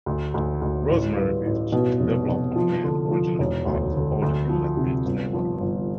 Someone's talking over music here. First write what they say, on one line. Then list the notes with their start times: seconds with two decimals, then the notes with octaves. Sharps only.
Rosemary Beach is developed on land originally part of the older Inlet Beach neighborhood.
0.06 D2
0.34 D2
0.61 D2
0.89 A1
1.17 G2
1.45 A1
1.72 B2
2.00 F1
2.28 F1
2.56 F3
2.84 D3
3.11 F3
3.39 E1
3.67 D2
3.94 D3
4.22 D2
4.49 F3
4.77 C3
5.05 G1
5.33 F3
5.60 G1